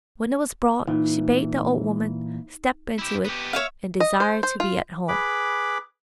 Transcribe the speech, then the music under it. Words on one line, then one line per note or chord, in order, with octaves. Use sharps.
When it was brought she bade the old woman step into it and desire to be at home.
A#2 E3 D#4
E4 G4
B3 G4
C#5 E5 F5
D#5
C5
C5
F4
G#4 B4 B5 D6